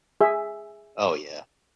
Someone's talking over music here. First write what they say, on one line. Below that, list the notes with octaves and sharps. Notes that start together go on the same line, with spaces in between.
Oh, yeah.
G#4 E5